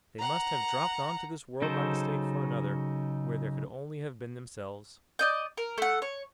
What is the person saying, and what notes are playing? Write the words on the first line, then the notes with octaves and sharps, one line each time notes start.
They must have dropped on to this world by mistake for another, where there could only have been themselves.
F#5 A#5
C#3 F#3 D#4 A4 C5
D5 D#5 G6
A#4
A3 F#5
C#5